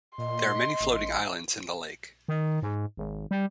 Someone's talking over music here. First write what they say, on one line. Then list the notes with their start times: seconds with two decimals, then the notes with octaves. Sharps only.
There are many floating islands in the lake.
0.18 A#2 D#5 C6
0.80 A1
2.28 D#3
2.62 G#2
2.97 G#1
3.31 G3